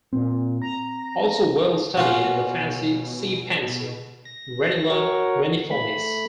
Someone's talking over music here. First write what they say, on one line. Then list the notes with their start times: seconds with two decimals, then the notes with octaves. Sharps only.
Also well studied is the fancy sea pansy, "Renilla reniformis".
0.13 A#2 C4
0.62 A#5
1.97 B2 C#4 F4 F#4
4.25 A#6
4.90 F#4 A#4 C#5
5.71 A3 B5